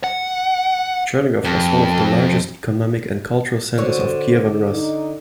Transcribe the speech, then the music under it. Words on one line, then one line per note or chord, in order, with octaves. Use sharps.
Chernigov was one of the largest economic and cultural centers of Kievan Rus'.
F#5
F2
D3 F#4 C5 C#5
D#4